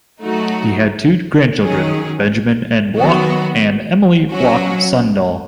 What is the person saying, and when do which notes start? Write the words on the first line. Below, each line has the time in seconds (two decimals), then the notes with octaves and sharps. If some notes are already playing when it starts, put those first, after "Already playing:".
He had two grandchildren, Benjamin N. Bloch and Emilie Bloch Sondel.
0.23 F#3 A3 D#4 F#4
1.60 D#3 F#3 C#4 G#4
2.97 D#3 F#3 B3 F#4
4.34 F#3 C#4 F#4